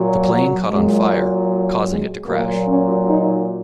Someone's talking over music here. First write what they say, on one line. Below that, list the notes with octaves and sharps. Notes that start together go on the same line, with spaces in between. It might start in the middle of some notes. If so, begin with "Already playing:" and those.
The plane caught on fire, causing it to crash.
Already playing: A#2 F#3
F#3
A#2 F#3 G#3
G#3
A#2 F#3 A#3
C#4
D#4